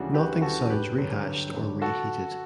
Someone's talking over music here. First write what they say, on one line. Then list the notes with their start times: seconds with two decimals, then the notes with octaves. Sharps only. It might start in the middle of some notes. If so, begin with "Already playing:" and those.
Nothing sounds rehashed or reheated.
Already playing: D2 C#3 E3 G3 D4 F#4
0.14 D2 G4 B4
0.42 C#3 E3 G3 F#4 A4
0.70 G2 G4 B4
0.98 D3 F#3
1.26 G2
1.54 D3 F#3
1.82 F#4 A4